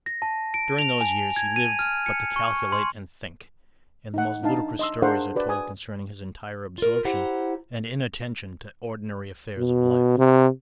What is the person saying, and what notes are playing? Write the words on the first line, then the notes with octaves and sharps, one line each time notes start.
During those years he lived but to calculate and think, and the most ludicrous stories are told concerning his entire absorption and inattention to ordinary affairs of life.
A#6
A5
D7
F7
G#5
G#6
D#7
F6
C#7
C#6
C6
D#4 F#5
D4 D#4 F5 A5
D#5 C6 E6
D4 G#4 A#4 C5 F5 F#5
F#4 B4 D5
G#5 D#6
F4 A#4
E4 G4 C5 F#5 A#5
B2
C3